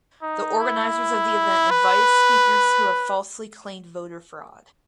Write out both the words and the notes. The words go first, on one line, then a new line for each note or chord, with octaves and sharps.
The organizers of the event invited speakers who have falsely claimed voter fraud.
D#4
E4
B4